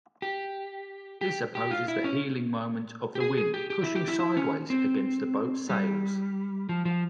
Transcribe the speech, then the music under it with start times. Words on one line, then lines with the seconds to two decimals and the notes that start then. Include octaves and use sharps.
This opposes the heeling moment of the wind pushing sideways against the boat's sails.
0.22 G4
1.21 G4
1.55 G4
1.71 F4
1.88 E4
2.04 C#4
3.15 G4
3.20 G#4
3.38 G#4
3.54 G4
3.70 G4
3.83 E4
3.95 G4
4.08 E4
4.20 E4
4.37 C#4
4.70 C4
5.70 G3
6.69 F3
6.85 F3